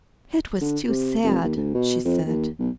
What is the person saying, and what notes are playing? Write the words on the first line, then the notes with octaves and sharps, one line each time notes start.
"It was too sad," she said.
D3
C3
F1
D#2
D2
B2
F2
D#2
B1